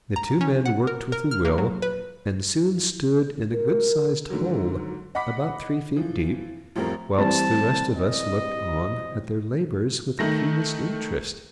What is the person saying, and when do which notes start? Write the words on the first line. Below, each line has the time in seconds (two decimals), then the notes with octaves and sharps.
The two men worked with a will, and soon stood in a good-sized hole, about three feet deep, whilst the rest of us looked on at their labours with the keenest interest.
0.16 A#5
0.41 C#4
0.66 F#5
0.87 A#4
1.12 A#4
1.31 F6
1.45 A#3
1.58 F#3
1.82 B4
3.53 A#4
4.30 G#2 D3 D#3 F#3
5.15 D#5 F#5 B5 D6 B6
5.96 E3 F3
6.76 A1 F2 G3 C4 A#4
7.18 E3 G3 C4 A5
7.96 D#5
10.19 D#3 A3 A#6